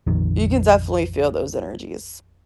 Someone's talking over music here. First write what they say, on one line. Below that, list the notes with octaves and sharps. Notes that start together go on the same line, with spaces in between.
you can definitely feel those energies.
A#1 F2 D#3